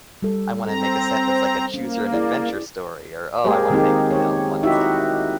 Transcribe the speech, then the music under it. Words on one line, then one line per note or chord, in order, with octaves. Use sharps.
I wanna make a set that's like a choose your own adventure story," or "Oh, I wanna make," you know, "one that's like,
G3 A4
C4 A4 A#5
C5
A#3 C#4
E4 G#4 D5
G#3 A#3 G4 G#4 A#4 C5
D#3 G#3 A#3 C4 D#4 G4
G4 C#5
D#4 E4 F#4 G4 E5